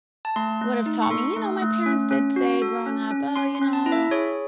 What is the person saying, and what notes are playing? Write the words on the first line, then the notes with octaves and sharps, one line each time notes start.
would've taught me, you know, my parents did say growing up, "Oh, you know, don't
A5
A3 C6
A3
D#4
C#6
A4 C6
A3
A3
C#4
C#4
F#4
A4
C#4
C#4
C#4 C6
C6
C#4
A5
E4
E5
G#4 C#5